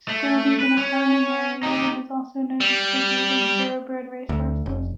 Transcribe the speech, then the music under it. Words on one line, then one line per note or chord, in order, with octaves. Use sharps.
Scone is in a farming area and is also noted for breeding Thoroughbred racehorses.
A3
B4
C#4
D#4 G4
G3
D2
F1